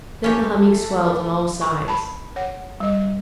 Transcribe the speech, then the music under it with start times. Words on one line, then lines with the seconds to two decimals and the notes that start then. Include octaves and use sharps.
Then the humming swelled on all sides.
0.24 A3 C#4 G4 A4
1.61 C#6
1.88 A5 B5
2.36 C#5 F#5
2.80 G3 D#5